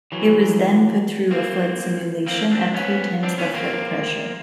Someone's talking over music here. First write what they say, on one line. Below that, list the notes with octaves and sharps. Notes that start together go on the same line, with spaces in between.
It was then put through a flight simulation at three times the flight pressure.
E3 F#3
A#3 C4
A#3 C4
C4 D4
B3 C#4
C4 D4
B3 C#4
A#3 C4